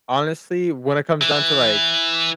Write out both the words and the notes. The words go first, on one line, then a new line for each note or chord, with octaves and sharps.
honestly, when it comes down to, like,
E3